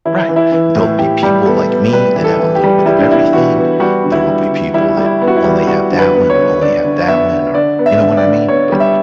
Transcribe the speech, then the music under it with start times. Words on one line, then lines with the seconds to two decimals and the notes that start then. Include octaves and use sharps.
Right. There'll be people like me that have a little bit of everything. There will be people that only have that one, or only have that one, or, you know what I mean? But
0.05 E3 E4
0.29 E3
0.36 E4
0.52 E3
0.75 A2
0.99 A2 G4
1.23 G3
1.46 B3 A4
1.70 B3
1.93 G3 B4
2.16 E3
2.24 A4
2.39 E3
2.55 G4
2.64 G3
2.86 G3 E4
2.99 D4
3.10 B3 E4
3.33 E3 F#4
3.57 B3
3.80 G3 F#4
4.04 D3
4.12 E4
4.27 G3
4.50 D3
4.74 G3 E4
4.97 G3
5.05 E4
5.21 B3
5.28 F#4
5.36 E4
5.44 G3
5.67 G3 F#4
5.91 D3
5.99 B4
6.14 B3
6.30 C#5
6.38 D3
6.61 D3 D5
6.84 D3
7.08 B3 E5
7.31 D3
7.55 D3 D5
7.79 B3
7.86 E5
8.02 D3
8.17 D5
8.25 D3
8.48 B3 C#5
8.72 G3
8.80 E5